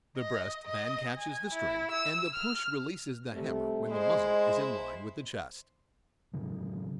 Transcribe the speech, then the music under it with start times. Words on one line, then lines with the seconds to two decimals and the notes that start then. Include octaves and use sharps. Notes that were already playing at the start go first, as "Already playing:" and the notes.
The breast than catches the string, and the push releases the hammer when the muzzle is in line with the chest.
0.18 D#5
0.66 D#5
1.18 G#5
1.54 E4
1.91 E6
2.34 F6
3.32 C3 G3 A3
3.91 G#3 E4 C5 D#5
6.34 A1 C#3 F#3